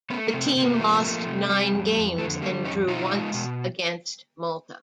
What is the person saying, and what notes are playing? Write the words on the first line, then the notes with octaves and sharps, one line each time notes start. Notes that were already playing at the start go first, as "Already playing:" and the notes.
The team lost nine games and drew once against Malta.
A3 B3 C#4
A#3
C3
A#3 C4
C3
A#3
A3
F3 A#3
A3
C3
G3
F2
F2
D3 A3
G3 A#3
F2 C#4 D#4
B2 D#4 F4
G#3
B2